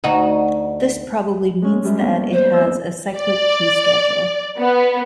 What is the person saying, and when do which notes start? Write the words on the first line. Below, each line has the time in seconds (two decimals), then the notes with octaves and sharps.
This probably means that it has a cyclic key schedule.
0.04 D2 D#4 F#4
1.62 G#3 C#4
1.82 F#2 G3 G#3
1.98 A#3 B3 D4
2.33 C5
2.54 F2 E6
3.17 D5
4.59 B3